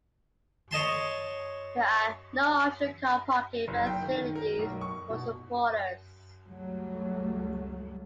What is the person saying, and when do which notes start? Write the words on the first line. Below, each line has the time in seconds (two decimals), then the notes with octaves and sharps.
There are no official car parking facilities for supporters.
0.71 C#5 D#5 A5 C6
3.68 F#1
3.86 G5
4.02 D#3
4.16 D#3
4.35 A#4
4.59 B1
4.81 C#6
5.10 B2
6.46 C#2 F#3 G3 A3